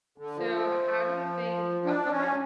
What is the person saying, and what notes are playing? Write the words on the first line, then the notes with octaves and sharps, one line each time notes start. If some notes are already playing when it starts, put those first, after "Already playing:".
So, how do you think oh, go ahead.
D3
F3
D4
C#4